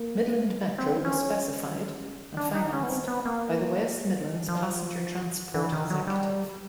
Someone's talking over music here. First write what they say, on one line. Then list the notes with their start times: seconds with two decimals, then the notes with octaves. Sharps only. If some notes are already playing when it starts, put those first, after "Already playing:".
Midland Metro was specified and financed by the West Midlands Passenger Transport Executive.
Already playing: A#3
0.78 C4
1.05 C#4
2.37 D4
2.55 D#4
2.73 C#4
2.83 B3
2.90 C4
3.08 B3
3.25 A#3
4.48 F3
5.54 E3
5.72 D#3
5.90 F#3
6.07 G3